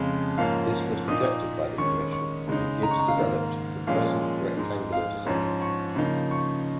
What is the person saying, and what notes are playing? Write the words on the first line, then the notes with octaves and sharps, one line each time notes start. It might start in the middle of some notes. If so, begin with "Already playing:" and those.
This was rejected by the commission, and Gibbs developed the present rectangular design.
Already playing: F2 C#3 G#3 F5
G#2 F3 A#3 C#4 F5
A#2 A#3 D#4 D#6
D#3 G#3 C#4 C#6
C#6
C#3 G#3 D#4
A#5
C#6
A#5
F5
G#2 D#3 A#3
A#2 F3 G#3 C#4 F5
G#2 G#3 D#4
F5
G#2 F3 C#4
C#6
C#3 F3 A#3 D#4
C#6